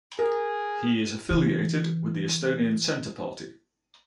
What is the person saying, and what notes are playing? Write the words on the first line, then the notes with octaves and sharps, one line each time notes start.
He is affiliated with the Estonian Centre Party.
G#4 A#4
C#3 E3